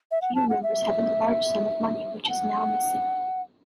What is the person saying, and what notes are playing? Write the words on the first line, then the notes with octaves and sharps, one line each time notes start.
He remembers having a large sum of money, which is now missing.
E5
F#5
A5
F#5
E5
A5
F#5